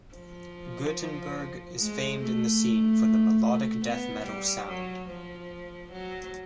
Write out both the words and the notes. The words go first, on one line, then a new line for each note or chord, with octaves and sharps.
Gothenburg is famed in the scene for the "melodic death metal" sound.
F3
G#3
A3
A3
B3
G3
F#3
F3
F#3